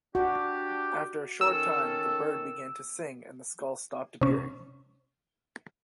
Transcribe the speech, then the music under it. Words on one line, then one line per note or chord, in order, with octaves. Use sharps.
After a short time, the bird began to sing and the skull stopped appearing.
D4 F#4 G4
D#3 C#4 A4 E6
C3 C#4